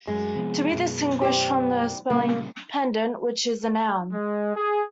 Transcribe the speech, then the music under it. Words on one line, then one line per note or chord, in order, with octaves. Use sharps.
To be distinguished from the spelling "pendant" which is the noun.
F#2 G#3
C3 F3 B3
F#2 B2
G4 C5 D5
A#2 C#3 G3 A#3
G#3
G#4